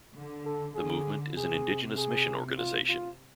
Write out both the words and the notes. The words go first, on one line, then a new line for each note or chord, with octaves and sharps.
The movement is an indigenous mission organization.
D3
A4
D3 G#4
C3 G#4
G#4
F4
F4